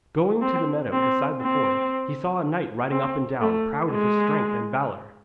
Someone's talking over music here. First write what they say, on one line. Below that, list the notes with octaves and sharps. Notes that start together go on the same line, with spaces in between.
Going to the meadow beside the ford, he saw a knight riding up and down, proud of his strength and valour.
C4
C4
C4
C4
A3
G#3